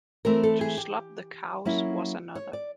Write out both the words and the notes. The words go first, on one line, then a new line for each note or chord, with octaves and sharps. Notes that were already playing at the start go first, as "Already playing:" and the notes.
To slop the cows was another.
E3 A3 C4 A#4
A4
G#4
G4
F#3 A#3 C#4 E4
C#5
D5